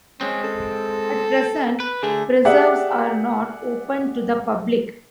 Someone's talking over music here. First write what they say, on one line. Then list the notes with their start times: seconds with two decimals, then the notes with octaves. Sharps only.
At present, preserves are not open to the public.
0.21 G#3 C4 C#4
0.44 A4
1.80 B4
2.03 D3 A3 G#4
2.45 G4 G#4 D5 E5 F#5